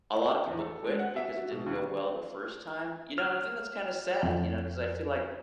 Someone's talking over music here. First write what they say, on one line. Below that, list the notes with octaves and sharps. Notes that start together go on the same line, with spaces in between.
a lot of people quit because it didn't go well the first time. You know, and I think that's kinda sad, you know, 'cause I feel like
E2
A4
G#3
F#5
E5
F#4
B2
D#2
F6
F2